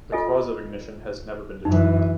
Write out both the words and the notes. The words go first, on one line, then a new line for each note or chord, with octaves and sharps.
The cause of ignition has never been determined.
F4 A4 D#5
F#2 E3 D#4